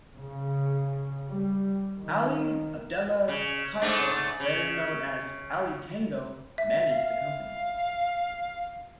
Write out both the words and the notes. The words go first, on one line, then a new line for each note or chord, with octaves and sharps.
Ali Abdella Kaifa, better known as Ali Tango, managed the company.
C#3
G3
D#3
C#3
G#2 A3 D4
C#3
E5
F5